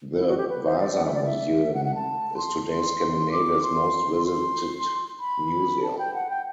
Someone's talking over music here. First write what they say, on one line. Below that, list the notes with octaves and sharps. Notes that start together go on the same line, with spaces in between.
The Vasa Museum is today Scandinavia's most visited museum.
E4
F#4
G4
B4
C5
D5
F#5
E5
D5
E5
F#5
F#5
A5
C6
D6
C6
C6
B5
A5
G5
F#5
G5